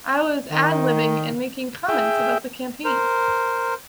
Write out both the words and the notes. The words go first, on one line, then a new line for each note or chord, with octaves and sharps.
I was ad libbing and making comments about the campaign.
D#3
G#4 E5 G5
A#4 C5